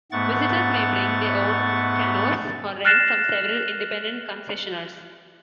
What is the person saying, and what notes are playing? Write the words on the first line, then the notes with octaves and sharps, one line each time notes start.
Visitors may bring their own canoes or rent from several independent concessioners.
G#2 A3 B3 F#5 C#6 A6
F6 F#6 A6 A#6 C7 E7